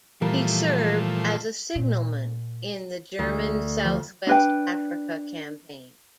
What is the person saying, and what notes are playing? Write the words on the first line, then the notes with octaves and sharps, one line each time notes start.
He served as a signalman in the German South-West Africa campaign.
A#2 E3 F3 G3 A3 A#4
A#2
D2
F3
D4 B4 G5